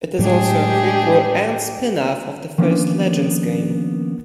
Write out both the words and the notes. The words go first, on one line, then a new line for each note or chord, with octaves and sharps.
It is also a prequel and spin-off of the first Legends game.
A2 F#3 G#3 D4 G4 G#4
D#3 F3 A#3 B3 C#4 D4